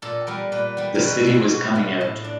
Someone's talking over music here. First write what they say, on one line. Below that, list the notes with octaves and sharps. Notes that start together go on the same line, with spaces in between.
The City was coming out!
A#2 A4
G3 B3 A#4
A#2 B4
G3 B3
A#4
B2 B4
A4
G#3 B3
G#4
B2 F#4
G#3 B3 F4
A2
D4